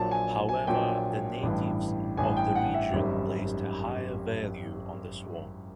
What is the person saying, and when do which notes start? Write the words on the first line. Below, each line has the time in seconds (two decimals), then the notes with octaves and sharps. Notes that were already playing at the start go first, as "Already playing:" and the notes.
However, the natives of the region placed a higher value on the swamp.
Already playing: A#1 A#2 F#3 A5
0.11 G#5
0.49 G#5
0.67 A#1 A#2 F#3 G5
1.43 A1 G2 E3
2.17 A1 G2 E3 G#5
2.37 G5
2.55 F#5
2.74 E5
2.93 G#1 F#2 D#3 G3